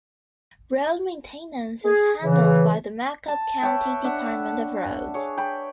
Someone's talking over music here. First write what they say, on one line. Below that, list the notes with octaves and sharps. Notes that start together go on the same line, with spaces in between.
Road maintaince is handled by the Macomb County Department of Roads.
G#4
C#3 E3
A5
B4 C#5 E5 G5
D4 E5 F#5
G#4 C#5
G5 B5